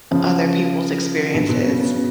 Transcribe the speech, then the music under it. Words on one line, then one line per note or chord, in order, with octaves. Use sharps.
other people's experiences.
C#3 F3
B2 D3
B2
C#3
C#3
C#3